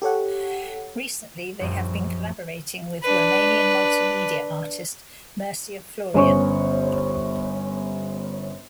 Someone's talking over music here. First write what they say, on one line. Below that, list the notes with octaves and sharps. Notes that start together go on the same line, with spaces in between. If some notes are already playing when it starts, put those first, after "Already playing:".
Recently, they have been collaborating with Romanian multimedia artist Mircea Florian.
G4 A4 C#5 F#5
A#1 F#2 F3 G3
D4 B4
G1 B3 C#4 C5 C#5 C#6